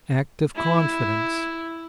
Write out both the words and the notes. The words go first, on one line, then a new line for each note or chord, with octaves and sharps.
Act of Confidence.
E4